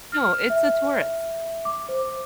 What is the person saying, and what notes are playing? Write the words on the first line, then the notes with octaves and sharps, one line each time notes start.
No, it's a tourist.
F6
E5
D6
C5